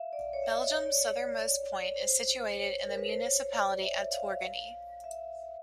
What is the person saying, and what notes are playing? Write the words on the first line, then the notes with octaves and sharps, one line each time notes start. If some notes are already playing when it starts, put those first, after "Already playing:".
Belgium's southernmost point is situated in the municipality, at Torgny.
Already playing: E5 F5
D5
C#5
E5
D#5
C#5
D5
C#5
D5
C#5
C5
C#5
A#4
B4
C5
C#5
D5
E5
E5
F5
E5